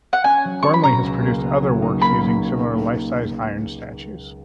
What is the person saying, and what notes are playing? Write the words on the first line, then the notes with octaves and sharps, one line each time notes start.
Gormley has produced other works using similar life-sized iron statues.
F#5
C#4 G#5
F#3
F#4 C#6
B5
B2 A#5
C#2
A#3
B3
F#3
D#4
A#3 B5
F#3